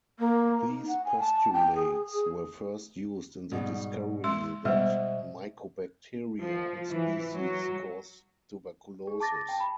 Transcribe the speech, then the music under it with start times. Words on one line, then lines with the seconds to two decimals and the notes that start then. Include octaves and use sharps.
These postulates were first used in the discovery that Mycobacteria species cause tuberculosis.
0.19 A#3
0.69 D#4
0.88 F#5
1.05 G#5
1.20 A5
1.53 G5
1.75 G#4
2.12 G#4
3.52 G#2 B2 G3
4.24 G#3 C6
4.65 B2 G3 G#3 C5 E5 G5
6.41 F3
6.89 E3
7.33 F#3
9.07 G#4
9.20 A5 D6 A6 A#6
9.49 G5 A5
9.60 B5